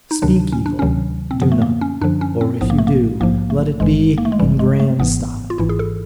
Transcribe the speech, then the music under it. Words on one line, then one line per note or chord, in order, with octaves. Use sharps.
Speak evil, do none; or if you do, let it be in grand style.
D#4
D2 C3 D#3 F#3 D4
C#4
D4
D2 C3 D#3 F#3 C#4
C4
F#2 D3 F3 B3
A3
A#3
C#4
F#2 D3 F3 D4
C#4
C4
A#1 G#2 F3 B3
A#3
A3
A#3
A#1 G#2 F3 A#3
A3
G#1 G2 E3 G#3
A#3
A3
G#3
G#1 G2 E3 G3
G#3
A3
G#1 G#2 E3 B3
F4
G#1 G#2 E3 E4
G#4
A4